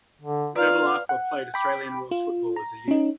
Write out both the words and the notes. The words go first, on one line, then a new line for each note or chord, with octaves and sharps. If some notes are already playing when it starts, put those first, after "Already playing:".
Bevilaqua played Australian rules football as a youth.
D3
F4 B4 D5 F5 A#5
F#5
G5 B5 D6
F4
A#5
C#4 D#4